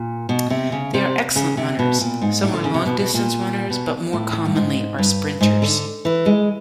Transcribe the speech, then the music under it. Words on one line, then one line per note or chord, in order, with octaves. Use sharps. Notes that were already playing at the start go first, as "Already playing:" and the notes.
They are excellent runners: some are long-distance runners, but more commonly are sprinters.
Already playing: A#2
B2
C3
C#3
C3
C#3
C3
B2
A#2
G#2
A2
D3
C#3
C3
B2
B2
A#2
B2
A2
G2
G#2
G2
G#2
D3
E3
G#3